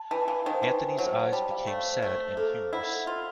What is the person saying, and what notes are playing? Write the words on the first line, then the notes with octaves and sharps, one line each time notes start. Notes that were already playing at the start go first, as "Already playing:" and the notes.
Anthony's eyes became sad and humorous.
Already playing: A5
E3 A5
E3 F5
D#3 C5
E3 C5
C5
F#3 C5
A5
G3 A5
F5
A3 F5
C5
A3 C5
A5
A#3 A4
F5
E4 F#5
A4
F4 A4